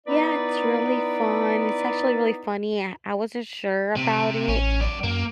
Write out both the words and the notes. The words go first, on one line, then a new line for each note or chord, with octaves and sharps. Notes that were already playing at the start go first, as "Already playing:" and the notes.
Yeah, it's really fun, it's actually really funny. I I wasn't sure about it,
B3 D#4 E4 B4 D5
C3
A1 C#4
F#2 D5
F#2 A#3